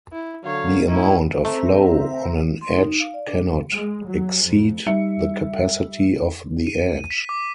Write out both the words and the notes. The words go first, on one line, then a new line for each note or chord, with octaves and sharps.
The amount of flow on an edge cannot exceed the capacity of the edge.
E4
D3 F#3 C#5 F5
A#3 C#4 D#4 E4
A3 C4 C5 E5 A#5
C6
D#4
F5
D5
D4
G#3
F#3
F2
G3 D#4 E5 C#7
D#7
B6
D6